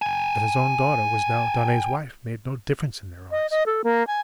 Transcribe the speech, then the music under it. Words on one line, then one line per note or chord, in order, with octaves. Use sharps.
That his own daughter was now Darnay's wife made no difference in their eyes.
G5 G#5
D#5
D#5
A4
A#3
G#5